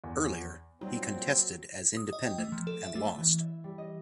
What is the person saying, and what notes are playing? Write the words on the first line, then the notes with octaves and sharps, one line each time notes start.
Earlier he contested as Independent and lost.
E2
A#2 F#3 G3 C4 D#4
D#6
D#5
G5
A3
F3
A4
E5
A3
E3
E5
G3
D#5